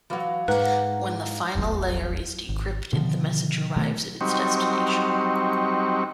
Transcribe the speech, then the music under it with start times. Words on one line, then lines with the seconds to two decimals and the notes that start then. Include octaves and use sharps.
When the final layer is decrypted, the message arrives at its destination.
0.10 E3 F#3 D5 F5 C#6
0.48 G#2 A#3 B4 F#5
1.55 D#1 G#1 E2 F#3
2.49 G#1
2.93 B2 D3 D#3 F3
3.76 B2 D#3 F#3 A3
4.21 F#3 G3 C4 D#4 C#6